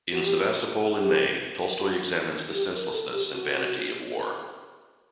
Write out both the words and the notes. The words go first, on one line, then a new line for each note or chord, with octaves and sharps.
In "Sevastopol in May," Tolstoy examines the senselessness and vanity of war.
F#4
G4
G4
F#4
G4
A#4
A4
G4
F#4